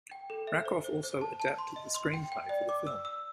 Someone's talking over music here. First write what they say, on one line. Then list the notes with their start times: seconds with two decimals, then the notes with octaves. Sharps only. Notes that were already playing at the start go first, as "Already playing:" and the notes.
Rakoff also adapted the screenplay for the film.
0.11 G5
0.30 A4
0.47 E5
0.66 C5
0.84 C5
1.03 C5
1.21 A5
1.40 A5
1.58 C6
1.76 D#5
1.94 C6
2.14 G5
2.32 G5
2.49 D5
2.69 D6
2.87 E6
3.05 E6